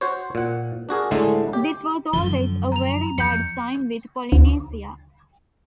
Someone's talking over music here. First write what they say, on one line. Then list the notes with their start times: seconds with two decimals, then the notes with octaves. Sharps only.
This was always a very bad sign with Polynesia.
0.01 F#4 C5 C#5
0.35 A#2 F#5
0.89 D4 F#4 G#4 A#4
1.11 A2 D3 G#3 A3
1.53 G4
2.13 F#2 D3 F3 G7
2.72 A#5 F7
3.18 F2 G6 C#7
4.32 D2